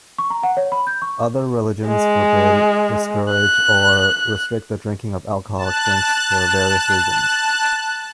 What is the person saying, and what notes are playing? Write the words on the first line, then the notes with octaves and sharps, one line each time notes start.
Other religions forbid, discourage, or restrict the drinking of alcoholic drinks for various reasons.
C#6
A#5
F#5
C#5
B5
G6
C#6
G#3
F#6
A5 F#6